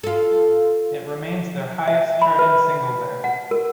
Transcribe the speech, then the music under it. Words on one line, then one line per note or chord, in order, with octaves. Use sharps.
It remains their highest-charting single there.
F4 A4
E5
B5
B4
F#5
A#4